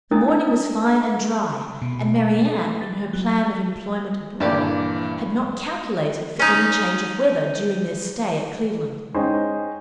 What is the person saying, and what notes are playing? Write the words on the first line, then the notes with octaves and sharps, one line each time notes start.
The morning was fine and dry, and Marianne, in her plan of employment abroad, had not calculated for any change of weather during their stay at Cleveland.
C#4 D4 E4 A#4 D#5 D#6
B2
A3
A6
F#3
G2 A#2 E3 A3 G4 D5
C#4 D#4
G#3 C#4 D#4 C5 D#5 G5